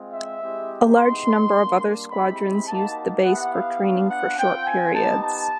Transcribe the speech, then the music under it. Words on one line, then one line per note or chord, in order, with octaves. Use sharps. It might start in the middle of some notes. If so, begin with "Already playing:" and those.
A large number of other squadrons used the base for training for short periods.
Already playing: G#3 C4 F4
E5
G#3 C4 E4 G4
G#3 B3 D#4 C6
G3 A#3 D4
G#3 C4 E4 G4 B5
B5
A#3 D#4 F#4 A5
B3 E4 G4 F#5
F5
B3 D4 F4
F#5
C4 F4 G5
G#5
B3 D#4 G4 A5
A5